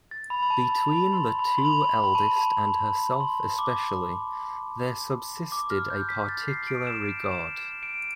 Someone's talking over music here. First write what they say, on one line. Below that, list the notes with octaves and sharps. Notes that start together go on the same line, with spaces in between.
Between the two eldest and herself especially, there subsisted a particular regard.
A6
B5
B5
A5
B5
B5
C6
B5
C6
B5
B5
A5
A5
C6
D6
D6
F6
G6
B6
A6
C7
D7
E7
D7
E7
E7
D7